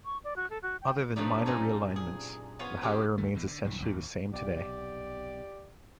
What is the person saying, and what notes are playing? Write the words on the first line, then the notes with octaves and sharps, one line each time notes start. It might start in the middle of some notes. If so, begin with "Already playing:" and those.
Other than minor realignments, the highway remains essentially the same today.
C#6
D5
F#4
A4
F#4
G5
G2 C3 F3 A3 D4 D#4
F#2 A#2 F4 A4 C5 G#5
G#4
B3 F4 C#5 F5 G#5
C4 C#4 F4 G4 G#4
D2 D#3 A3
E2 B2 D3
D3
B1 G2 E3
A1 D#2 E3
B1 C3 G4 D5